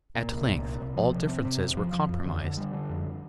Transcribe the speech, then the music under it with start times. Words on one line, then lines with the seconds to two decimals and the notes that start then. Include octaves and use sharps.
At length all differences were compromised.
0.15 A#2
0.32 C2
0.48 A#2
0.64 C2
0.80 C2
0.96 F3
1.12 C3
1.28 C4
1.45 C3
1.61 E2
1.77 F3
1.93 F3
2.09 F2
2.25 D3
2.41 D3
2.57 G3
2.73 D3
2.90 F2